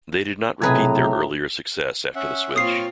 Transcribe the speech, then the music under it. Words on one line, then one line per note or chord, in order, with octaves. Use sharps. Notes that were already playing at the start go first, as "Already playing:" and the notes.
They did not repeat their earlier success after the switch.
B1 A2 C3 G#4 B4 G#5 A#5
C#4 E5 F#5
A#2 C4 F4 C#5 D#6 F6 C7